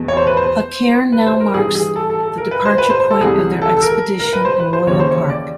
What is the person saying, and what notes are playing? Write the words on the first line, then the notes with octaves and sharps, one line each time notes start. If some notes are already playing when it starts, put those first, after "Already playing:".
A cairn now marks the departure point of their expedition in Royal Park.
Already playing: E2 B2
C#5
C5
B4
C5
B4
C5
A#4
G2 E3 G#4
G#4
A4
A4
A4
A#4
B4
C5
B4
C5
C5
A4
C2 C3 E3 G#4
A4
A4
A#4
A#4
B4
C5
B4
C5
D#2 C#3 E3 C#5
C5
C#5
D5